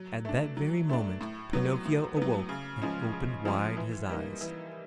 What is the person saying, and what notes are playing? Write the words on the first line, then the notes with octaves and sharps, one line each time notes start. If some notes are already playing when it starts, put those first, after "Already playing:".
At that very moment, Pinocchio awoke and opened wide his eyes.
Already playing: F#3
A3 D4
F#3
A3 D4
A2
F#3 B3
A2
B3
F#3
C#3
F3 G#3 C#4
C#3
F3 G#3 C#4
E3
G3 A#3 D#4
E3